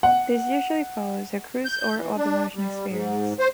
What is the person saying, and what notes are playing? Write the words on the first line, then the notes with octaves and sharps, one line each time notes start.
This usually follows a cruise or other motion experience.
F#5
G6
E3
D4
G3
G#2
C5